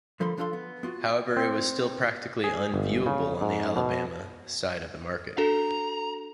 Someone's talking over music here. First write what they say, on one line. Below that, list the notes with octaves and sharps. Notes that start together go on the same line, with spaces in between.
However, it was still practically unviewable on the Alabama side of the market.
D3 F3 A4 A#4 B5 C6
F3 D4 F4 A4 F5 C6
B3
B3 F4 F#4
C4
G#4
G1
C#3
G#2
B2
D4 F#4 A4 A#5